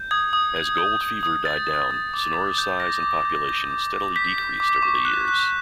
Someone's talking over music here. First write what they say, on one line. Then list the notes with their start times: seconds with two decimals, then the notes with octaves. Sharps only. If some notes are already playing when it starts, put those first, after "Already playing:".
As "gold fever" died down, Sonora's size and population steadily decreased over the years.
Already playing: G6
0.11 D#6 G#6
0.33 D#6
0.56 G6
0.78 G6
1.01 D#6
1.23 D#6
1.45 G6 A6
1.69 G6
1.91 D#6
2.14 D6
2.35 G6
2.58 G6
2.80 D6 A#6
3.03 D6
3.25 G6
3.48 G6
3.70 D6
3.93 D6
4.16 G6 B6
4.38 G6
4.60 D6
4.83 C#6
5.05 F#6
5.28 F#6